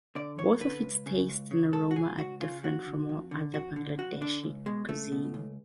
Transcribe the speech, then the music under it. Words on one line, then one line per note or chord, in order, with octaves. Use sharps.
Both of its taste and aroma are different from all other Bangladeshi cuisine.
D3 D5
F#2 C#5
D3 B4
C#2
C#3
C#2
C#3
C#2 A4
F#4
C#3 G#4
C#2 F#4
C#3 F4
F2 F#4
D3
F2
D3
F2 F#4
D3
F2 F#4
D3 D4
C#2
B2 G#3
C#2 A3
B2
C#2